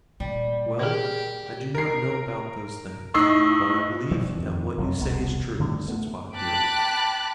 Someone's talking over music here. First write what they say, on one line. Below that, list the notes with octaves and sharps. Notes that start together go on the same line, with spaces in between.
"Well, I do not know about those things, but I believe that what you say is true," said Spotted Deer.
A#2 D3 G3
G4 G#4 A#4
A#4 C7
A2 D#4 E6 C7
B2 E3 F3 G3
F2 D#3
F1 F2 F#3
E1 C2 B3
A2 D3 D#3 G3
A3 B3
G5 A5 B5 D6 F#6